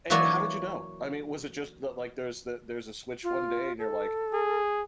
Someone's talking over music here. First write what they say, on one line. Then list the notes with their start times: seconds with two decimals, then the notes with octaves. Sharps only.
And how did you know? I mean, was it just the, like, there's the there's a switch one day and you're like,
0.10 E3 F#3 A#3 F#4 C#5 D5
3.23 F4
3.78 A4
4.33 G#4